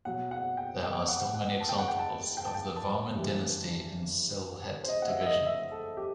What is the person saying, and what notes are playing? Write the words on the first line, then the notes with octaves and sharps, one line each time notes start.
There are still many examples of the Varman dynasty in Sylhet division.
B2 F#3 F#5
F#5
G5
G5
F#5
F#5
A5
G5
F#5
G5
A5
G5
A5
G5
A5
G2 E3 G3
C5
D#5
F#5
E5
E5
D#5
E5
A4
G4